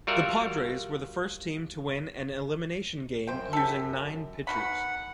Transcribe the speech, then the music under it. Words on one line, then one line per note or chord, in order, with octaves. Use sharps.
The Padres were the first team to win an elimination game using nine pitchers.
G3 F4 F#4 A#4 E5 F#5
F#2 C5 G5
G4 A4
B2 D#3 F#5 B5